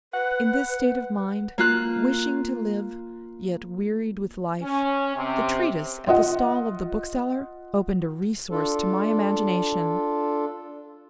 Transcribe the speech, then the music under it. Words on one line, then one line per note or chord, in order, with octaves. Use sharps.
In this state of mind, wishing to live, yet wearied with life, the treatise at the stall of the bookseller opened a resource to my imagination.
B4 F#5
A#3 F4 F#6
C#4
C3
F4 D#5 F#5
D4 F4 A4